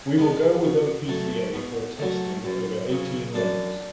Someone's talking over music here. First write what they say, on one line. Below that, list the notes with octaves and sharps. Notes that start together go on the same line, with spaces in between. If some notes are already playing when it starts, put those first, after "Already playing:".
We will go with OPCA for a testing over eighteen months.
Already playing: C#5
G#3 B3
B2
F#3 A3
B2
F#3 A3
F#2
C#3 F#3
F#2 D4